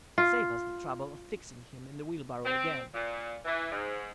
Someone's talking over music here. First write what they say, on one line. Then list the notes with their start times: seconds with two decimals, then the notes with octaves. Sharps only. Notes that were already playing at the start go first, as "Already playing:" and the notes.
"Save us the trouble of fixing him in the wheelbarrow again."
0.18 F4
2.46 C4
2.94 A#2
3.45 E3
3.72 G#2